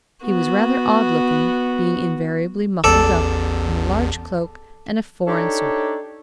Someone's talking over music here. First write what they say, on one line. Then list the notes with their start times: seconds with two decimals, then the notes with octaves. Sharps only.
He was rather odd looking, being invariably muffled up in a large cloak and a foreign sort of hat.
0.24 B3 F#4
2.84 A1 E2 A4 D5
5.27 D4 D#4 G4 A4 C#5